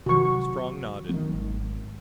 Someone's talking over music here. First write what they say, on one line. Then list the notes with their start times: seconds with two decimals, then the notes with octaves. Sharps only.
Strong nodded.
0.06 C3 D#3 F#3 F#4 C#6
1.09 D#3 F#3 B3
1.33 G#1